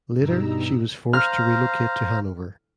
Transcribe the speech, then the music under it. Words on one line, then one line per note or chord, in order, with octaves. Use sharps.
Later she was forced to relocate to Hanover.
G2 B2 G3 D#4 A#5 E6
C5 F5 A#5 F6